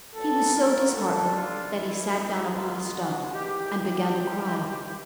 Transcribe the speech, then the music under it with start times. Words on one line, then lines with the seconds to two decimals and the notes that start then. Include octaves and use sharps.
He was so disheartened that he sat down upon a stump and began to cry.
0.15 C2 A#2 F#3 B3 A4
0.55 A#4
0.94 D#2 D3 G3 A4
1.34 F4
1.73 G#1 G2 E3 G3 E4
2.13 D#4
2.52 F#2 D#3 G#3 B3 F4
2.92 F#4
3.32 A#1 G#2 E3 G4
3.72 G4
4.11 D#2 C#3 E3 G#3